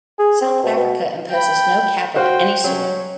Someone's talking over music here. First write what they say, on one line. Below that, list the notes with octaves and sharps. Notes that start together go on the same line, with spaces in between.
South Africa imposes no cap of any sort.
G#4
C4
B2
B2
G5 B5
F#4 C5 F5 G5
F#3 C#4